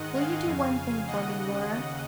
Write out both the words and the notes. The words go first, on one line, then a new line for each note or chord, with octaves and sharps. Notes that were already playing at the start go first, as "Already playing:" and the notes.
'Will you do one thing for me, Laura?
Already playing: G#2 D#3 D#5 F#5
F5 G#5
F2 C#3
D#2 C#3 D#5 F#5
D#2 C#3